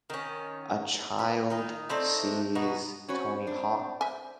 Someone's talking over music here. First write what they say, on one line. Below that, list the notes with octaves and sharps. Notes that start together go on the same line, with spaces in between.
a child sees Tony Hawk.
D#3 C#4
B3
D#3 D#4
A3 C4 D4 D#4
B2 D#4 F#4
C4 C#4 F#4 C5 C#5 B5
D4
E5 G#5